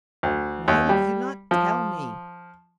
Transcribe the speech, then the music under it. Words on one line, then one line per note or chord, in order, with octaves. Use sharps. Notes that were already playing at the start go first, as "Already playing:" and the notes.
"Why did you not tell me?"
D2
D#2
G3
F3